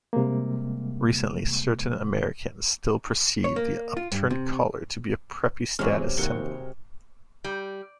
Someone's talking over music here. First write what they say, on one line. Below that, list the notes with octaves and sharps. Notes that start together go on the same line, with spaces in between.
Recently, certain Americans still perceive the upturned collar to be a "preppy" status symbol.
C3 G3 G#3 A#3
C#5
A#3
F4
G2
C3
E2 C3 F#3 G#3 C#6 D6 F6
D#2 C3 F#4 A#4 C#7 G7
G3